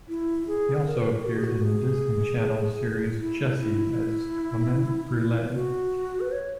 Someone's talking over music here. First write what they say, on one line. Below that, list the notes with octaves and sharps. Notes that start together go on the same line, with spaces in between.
He also appeared in the Disney Channel's series "Jessie" as "Clement Brulee".
E4
G#4
A#4
B4
A#4
F#4
G#4
F#4
G#4
E4
E4
F#4
B4
C#5